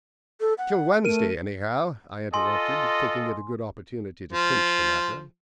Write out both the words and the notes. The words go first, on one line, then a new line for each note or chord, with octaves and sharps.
"Till Wednesday, anyhow," I interrupted, thinking it a good opportunity to clinch the matter.
A4
F#5
A3 A#4 D#7
F4 A4 D#5 G#5 C6
F3